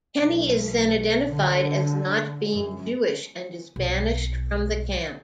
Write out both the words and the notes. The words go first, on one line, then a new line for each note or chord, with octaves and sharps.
Kenny is then identified as not being Jewish and is banished from the camp.
B1
D3
F#2
B1